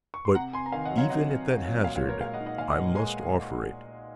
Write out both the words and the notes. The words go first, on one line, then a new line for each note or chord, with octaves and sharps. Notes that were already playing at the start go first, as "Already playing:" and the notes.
But even at that hazard, I must offer it.
C#6
C6
C3 F#5 A#5
C3 G#5 C6
A#5
D#3 F5 G#5
D#5 F#5
F#3
C#5 F5
C3 D#5 F#5
C3
D#3
F#3
A#2 C#5 F5
C#5 F5
A#2
A#4 C#5
G#3 C#5 F5
D#5 F#5
D#4
D#5 F#5
A#2 F5 G#5
D#5 F#5
A#2
G#3 G#5 C6